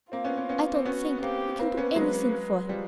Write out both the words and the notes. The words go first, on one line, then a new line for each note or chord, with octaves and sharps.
"I don't think--we can do anything for him."
A#3 C4 F4
B3 C#4
B3 C#4
B3 C#4
C4
B3 C#4 F#4
B3
A#3 C4 G4
A#3 C4 B4
B3 C#4
F#3 G#3
F3 G3